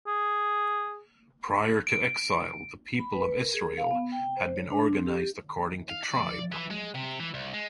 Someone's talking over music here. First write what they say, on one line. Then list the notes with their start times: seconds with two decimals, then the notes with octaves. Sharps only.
Prior to exile, the people of Israel had been organized according to tribe.
0.07 G#4
1.87 D7
2.99 B5
3.13 B4
3.41 A#4
3.54 G#4
3.78 F5
3.91 B3
4.12 G5
4.37 C5
4.56 C#5
4.70 D4
4.93 C4
5.06 G4
5.90 F5
6.04 D5
6.52 E3
6.70 G#3
6.95 C3
7.20 E3
7.34 C2
7.54 G#3